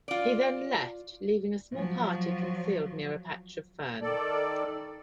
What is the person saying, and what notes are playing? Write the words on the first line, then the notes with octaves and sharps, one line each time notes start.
He then left, leaving a small party concealed near a patch of fern.
F4 D5
F3 F#3
D#3 A4 D5